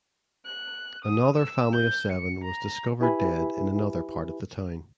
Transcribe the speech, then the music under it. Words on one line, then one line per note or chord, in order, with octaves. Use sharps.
Another family of seven was discovered dead in another part of the town.
F#6
D#6
E6
G6
C#7
A#5
E4 G4 B4 E5 G#5 B5